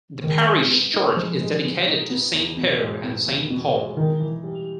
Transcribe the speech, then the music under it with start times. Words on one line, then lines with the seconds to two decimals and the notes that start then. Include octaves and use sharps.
The parish church is dedicated to Saint Peter and Saint Paul.
0.23 D#3 G#3
0.47 G#3
0.70 B3
0.94 D#4
1.16 F3 G#3
1.40 G#3
1.63 B3
1.87 D#4
2.10 B3
2.33 E2
2.57 B2
2.80 G#3
3.04 B3
3.26 E2
3.50 B2
3.74 G#3
3.97 D#3 D#4
4.20 E3
4.43 G3